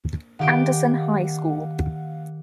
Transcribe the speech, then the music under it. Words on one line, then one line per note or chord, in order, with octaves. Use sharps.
Anderson High School.
D#3 G4 F5 F#5 D7